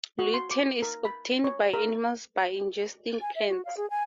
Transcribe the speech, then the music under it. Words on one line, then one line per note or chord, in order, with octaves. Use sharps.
Lutein is obtained by animals by ingesting plants.
F#4
C6
D6
A#4
B5
C#5
A#4
G#5
E5
F#4
F5
G#4
G#5